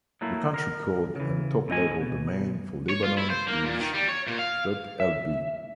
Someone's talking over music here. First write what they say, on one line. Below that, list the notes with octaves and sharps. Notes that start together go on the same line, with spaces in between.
The country code and top-level domain for Lebanon is ".lb".
F#3 A3 A#3 E4
A#4
C#3 E3
A2 C4 D#5 G#5
B2
C#5
F4
E4
C5
A#3
A#2
D#3
G3
C#5
A#2
F5
E5